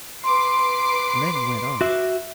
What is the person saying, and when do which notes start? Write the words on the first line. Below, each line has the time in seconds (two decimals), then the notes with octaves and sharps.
And then he went on.
0.24 B4 C6 D6 C7
1.81 F#4 E5